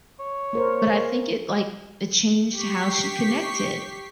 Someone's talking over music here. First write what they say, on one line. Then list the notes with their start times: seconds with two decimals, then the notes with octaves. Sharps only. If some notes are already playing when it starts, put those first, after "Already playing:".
but I think it, like it changed how she connected.
0.20 C#5
0.53 A#3 A#4 C5
2.50 G4 C#6 B6 C7